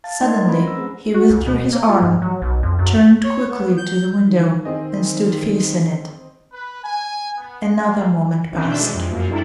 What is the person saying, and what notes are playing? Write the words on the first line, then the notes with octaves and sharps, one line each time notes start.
Suddenly he withdrew his arm, turned quickly to the window and stood facing it. Another moment passed.
F5 A5 A6
A3 D#4 D5 D#5 C6 G#6
A#4
C4 C#4 C5 F#5 A#5 B5
E6 A#6
A3 C4 G#4 B4
F#4
C#2
B2
A#3
F4
G#2
F#3
B1
F2
F#2
C#5
B3
G6
D#3
C4 G#4 D#5
B4
G#5
B3
A#3
D#3 E3 C4 C#4
B2 C4 D4 E5 G6
G#3
F2
F#2 A#3
C3 G3 D4 E4 A4